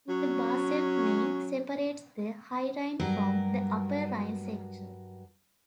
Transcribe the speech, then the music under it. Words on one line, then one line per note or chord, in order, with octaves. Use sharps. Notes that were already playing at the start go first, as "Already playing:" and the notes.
The Basel knee separates the High Rhine from the Upper Rhine section.
F#3 C#4
G2 F#3 A#4